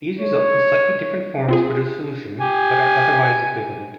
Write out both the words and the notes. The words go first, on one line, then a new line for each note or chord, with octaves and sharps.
These result in slightly different forms for the solution, but are otherwise equivalent.
C#5
C4 F4 G#4
G4 G#5